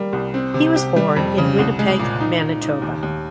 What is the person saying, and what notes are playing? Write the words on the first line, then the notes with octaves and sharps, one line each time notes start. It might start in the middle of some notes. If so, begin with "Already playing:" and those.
He was born in Winnipeg, Manitoba.
Already playing: G3 A#3
C2
C4
C3
G4
G3
F2
C#3
C2
G#3
A#2
D#4
D#4
D#4
D#2
D#2